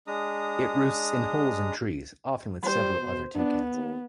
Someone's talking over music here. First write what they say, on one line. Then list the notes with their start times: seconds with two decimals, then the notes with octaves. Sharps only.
It roosts in holes in trees, often with several other toucans.
0.07 G#3 D4 A#5 D#6
2.63 G3 C5
2.99 B2
3.34 B3 D4
3.73 D#2